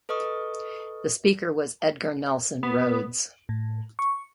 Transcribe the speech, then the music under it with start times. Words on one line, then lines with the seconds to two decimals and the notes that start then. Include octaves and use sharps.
The Speaker was Edgar Nelson Rhodes.
0.09 A4 B4 D#5 C#6 D#6
2.63 B3
3.49 A2
3.99 C#6